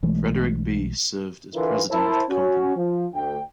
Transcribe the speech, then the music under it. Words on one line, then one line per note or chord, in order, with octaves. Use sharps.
Frederick Bee served as president of the company.
B1 E3 G#3 A3
D3 E3 E4 F4 A#4 B4
E4 A#4 C5 A5
C#4 F#4
F3
D2 G5